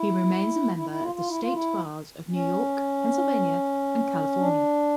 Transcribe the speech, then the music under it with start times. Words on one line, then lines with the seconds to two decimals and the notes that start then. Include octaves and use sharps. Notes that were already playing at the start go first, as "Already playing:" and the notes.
He remains a member of the State Bars of New York, Pennsylvania and California.
Already playing: E4
0.76 E4
0.90 E4
1.02 F4
1.15 F4
1.28 E4
1.41 F4
1.53 E4
2.31 C#4
4.38 D4